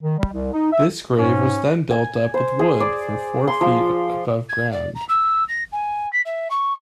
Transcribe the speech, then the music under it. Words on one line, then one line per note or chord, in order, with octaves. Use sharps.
This grave was then built up with wood for four feet above ground.
D#3
G3
C2
D#4
E5
G#2 C#4
G#5
C5
G#4
D5
C6
F3
G#6
D5
A#5
E6
A#6
G#5
B6
E5
C#6